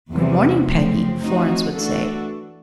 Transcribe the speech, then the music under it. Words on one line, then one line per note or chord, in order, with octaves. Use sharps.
"Good morning, Peggy!" Florence would say.
E2 C3 E3 G3
F#2 C#3 F3 A3 C4
F3 A3 C4 D#4 F#4
E3 A3 D4 F#4 A4